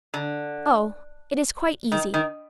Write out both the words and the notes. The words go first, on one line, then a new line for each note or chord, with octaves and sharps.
'Oh, it is quite easy.
D3
D#3
D#3